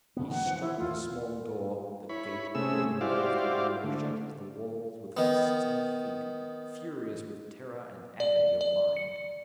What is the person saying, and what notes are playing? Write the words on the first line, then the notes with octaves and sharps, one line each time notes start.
He struck the small door, the gate, the windows, the window-shutters, the walls, with fists and feet, furious with terror and agony of mind.
F#2 C#3 B3
D#3 F3 A#3 F#5
E3 F3
E4
D#2 A3 F4
E4 C#5 B5
C3 A3 C#4 G#4 E6
E4 F#4 G4 C5 D5 F5
D3 A3
D#3 B3
D5
D5
C#7